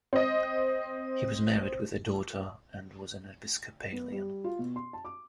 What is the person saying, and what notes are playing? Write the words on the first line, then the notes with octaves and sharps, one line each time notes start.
He was married with a daughter and was an Episcopalian.
C4 D#5
B3
G3
F4
B2
C6
A5
D6